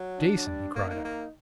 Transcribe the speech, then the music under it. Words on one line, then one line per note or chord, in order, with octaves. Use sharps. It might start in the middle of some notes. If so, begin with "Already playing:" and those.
"Jason!" he cried out.
Already playing: F#3
D4
F#3
G3
A#3 D#4
D4
A#3 D#4
A#3